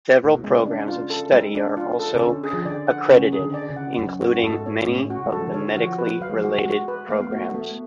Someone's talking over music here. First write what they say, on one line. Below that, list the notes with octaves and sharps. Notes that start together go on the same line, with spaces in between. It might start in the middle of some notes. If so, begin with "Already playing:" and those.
Several programs of study are also accredited, including many of the medically related programs.
A2
B2
C#3 G#3
D4
F4
A4
G#3
D4
F4
A4
C#3
D3 C#4
G#4
F3
D3 D5
F#5
C#3 C#4
G#4
D3
D5
C#3
F#5
F#2 C#4
F#4
G#2 A4
C#5
A2 C#4
F#4
C#3
G#3
F#3 A4
F3
D3
C#5
F3 F#4
B4
F#3 F5
G#3
F#3
G#3 F#4
F#3
G#3 F#4
B4
A3 F5
B3
A3 F#4
A3 B3